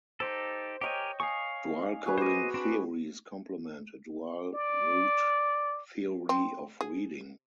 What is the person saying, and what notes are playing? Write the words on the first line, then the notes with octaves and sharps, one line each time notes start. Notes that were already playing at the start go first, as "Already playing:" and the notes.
Dual-coding theories complement a dual-route theory of reading.
D#4 G4 A4 C5
G4 A#4 C#5 D#5 G5 G#5
F5 G#5 C#6 D#6
F#4 G#4 B4
C5 D#5 G#5 D6
C4 D4 B4
D5
C4
G#4